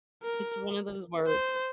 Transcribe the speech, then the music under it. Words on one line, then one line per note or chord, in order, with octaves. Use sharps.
It's one of those words.
A#4
C5